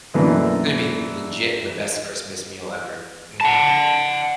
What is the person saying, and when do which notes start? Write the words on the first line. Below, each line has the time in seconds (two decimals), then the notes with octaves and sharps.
It's gonna be legit the best Christmas meal ever. Mhm.
0.14 F#2 B2 E3 A3 A#3 D4
3.41 F#5 A5